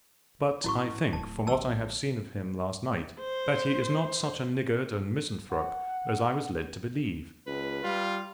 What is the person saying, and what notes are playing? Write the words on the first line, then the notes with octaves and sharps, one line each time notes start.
But I think, from what I have seen of him last night, that he is not such a niggard and misanthrope as I was led to believe.
A1 E4 F#4 C#6
D1 A5
A#1 D3 A5 E6
C5
F#5
C#2 B4
G3 F4